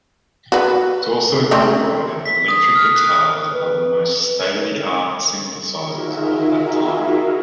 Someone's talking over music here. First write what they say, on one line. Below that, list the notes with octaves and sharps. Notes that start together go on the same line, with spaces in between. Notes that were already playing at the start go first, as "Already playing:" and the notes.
It also incorporated electric guitars and the most state-of-the-art synthesizers of that time.
F#4 B4
A3 C4 C#4
B6
D#6
D#6
F6
F#6
D#6
B4
D#4 F4 F#4 G#4 A#4 E5